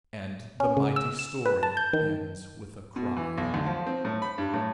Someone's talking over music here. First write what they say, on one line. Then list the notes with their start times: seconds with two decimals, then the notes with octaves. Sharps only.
And the mighty story ends with a cry.
0.60 C#4
0.77 C#3
0.96 E6
1.19 E7
1.46 B4
1.63 A5
1.77 G6
1.93 D#3
2.96 B2
3.16 E3
3.38 B1
3.54 D2
3.66 F3
3.86 C4
4.05 A2
4.22 B5
4.38 G2
4.54 A2